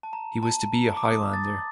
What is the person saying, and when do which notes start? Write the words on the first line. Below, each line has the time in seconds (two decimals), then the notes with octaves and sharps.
He was to be a Highlander.
0.03 A5
0.13 A#5
0.43 A5
0.74 A#5
0.97 D6
1.03 D#6
1.33 A6